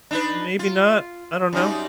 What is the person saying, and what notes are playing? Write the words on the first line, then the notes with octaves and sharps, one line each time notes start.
Maybe not. I don't know."
D4 D#4 B4
F4
F#2 G3 D#4